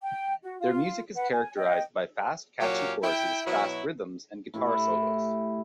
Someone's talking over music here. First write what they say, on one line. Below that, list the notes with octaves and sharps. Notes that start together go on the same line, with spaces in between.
Their music is characterized by fast, catchy choruses, fast rhythms, and guitar solos.
G5
F#4
F4
B4 F#5
G#5
D#5 G5
A#2 F#3 C#4 G4 F5
E4 G5
B2 F#3 E4
A2 E4 G4